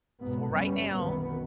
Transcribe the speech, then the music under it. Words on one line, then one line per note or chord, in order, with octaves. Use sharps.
for right now,
C#2 G#2 B2 B3
F#1 F#2 G3 B3 C#4
C2 F#2 B2 D#3 E3 B3